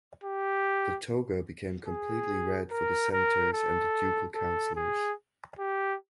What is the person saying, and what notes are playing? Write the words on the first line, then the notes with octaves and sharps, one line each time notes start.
The toga became completely red for the senators and the ducal councilors.
G4
G#4
A#4
A#4
A4
A4
G#4
G4